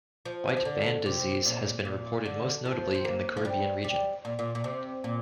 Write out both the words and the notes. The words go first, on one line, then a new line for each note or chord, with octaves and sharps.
White band disease has been reported most notably in the Caribbean region.
F3
F3
D3
C3
A#2
A#2
D3
F3
C4
A#3
F3
G3
G3
A#2
A#2
A#2
C3
A#2